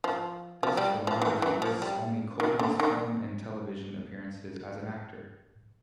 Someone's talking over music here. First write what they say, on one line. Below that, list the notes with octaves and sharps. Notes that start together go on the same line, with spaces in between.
This filmography lists only Kolden's film and television appearances as an actor.
F3
F3
G3
F3
E3
E3
F3
G3
D#3
D3
D#3